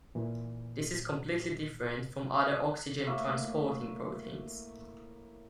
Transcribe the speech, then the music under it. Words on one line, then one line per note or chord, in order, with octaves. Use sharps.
This is completely different from other oxygen transporting proteins.
A#2 E3
A2 A#3 E5 C#6